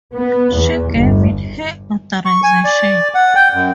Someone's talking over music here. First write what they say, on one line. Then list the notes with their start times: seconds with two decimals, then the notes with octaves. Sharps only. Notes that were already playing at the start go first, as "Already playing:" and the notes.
She gave it her authorization.
0.16 B3
0.57 E2
0.95 G1
2.25 C#6
2.43 G#5
2.65 D5
3.15 F#5
3.35 G5
3.54 F#2